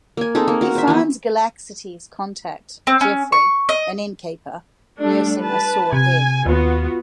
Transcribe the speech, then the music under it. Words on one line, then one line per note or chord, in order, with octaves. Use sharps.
He finds Galaxity's contact, Geoffrey, an innkeeper, nursing a sore head.
A#3 G#5
C4 D#4 G#4 A4
A#3
F#4 A#4
C5 E5
E3 B3
C4
C#4
C#6
D#5
G3 A3 D4
B4 A5
C3 G#5
D#2 B3 F4 F#4